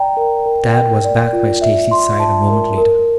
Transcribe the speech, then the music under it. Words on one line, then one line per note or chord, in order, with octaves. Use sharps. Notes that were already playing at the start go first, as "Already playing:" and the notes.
Tad was back by Stacy's side a moment later.
Already playing: D5 G5 A#5
A#4
A#4
G5
D5
F4
E5
C6
A5
A#4
A#4